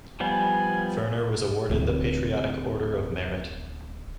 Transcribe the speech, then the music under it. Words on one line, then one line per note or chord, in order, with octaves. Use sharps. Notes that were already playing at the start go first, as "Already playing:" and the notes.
Werner was awarded the Patriotic Order of Merit.
F3 G3 B3 G#5
D1 E4